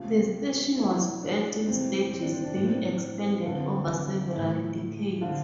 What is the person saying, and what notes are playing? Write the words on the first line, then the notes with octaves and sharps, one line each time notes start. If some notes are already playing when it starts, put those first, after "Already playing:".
The station was built in stages, being expanded over several decades.
Already playing: E2 C3 F3 F4
E2 B2 E4
D4
F2 C3 E3 C4
C4
D4
C4
D4
A2 E3 D4
C4
D4
F2 D3 F3 F4
A2 F3 E4
D3 F3 F4